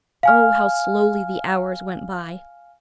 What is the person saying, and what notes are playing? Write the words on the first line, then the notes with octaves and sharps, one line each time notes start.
Oh, how slowly the hours went by!
F5 G#5 F6